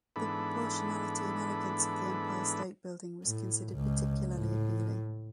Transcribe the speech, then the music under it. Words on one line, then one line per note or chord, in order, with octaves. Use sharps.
The proportionality and elegance of the Empire State Building was considered particularly appealing.
G#2 E3 B3 D4 A4 B5
A2
C#2
A2